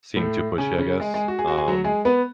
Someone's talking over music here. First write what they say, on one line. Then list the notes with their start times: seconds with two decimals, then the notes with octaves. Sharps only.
seem too pushy, I guess. Um,
0.16 A2 A3
0.58 C#3 C#4
0.79 C#3 C#4
1.00 G#3 G#4
1.14 G#3 G#4
1.28 F#4
1.39 G#4
1.48 F#4
1.58 G#4
1.67 F#3 F#4
1.84 G#3 G#4
2.05 B3 B4